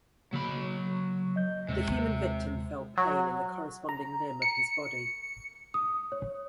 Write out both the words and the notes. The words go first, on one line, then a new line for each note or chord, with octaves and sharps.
The human victim felt pain in the corresponding limb of his body.
C#3 F#3 A#3 B5
D#5 G6
D#2 C3 G#3
F#3
A#5
C#7
D#6
C#5